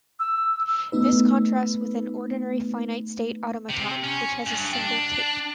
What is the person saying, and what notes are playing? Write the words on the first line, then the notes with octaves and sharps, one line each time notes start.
This contrasts with an ordinary finite-state automaton, which has a single tape.
E6
A3 B3 D#4 B4
C3
C#4
G2
D4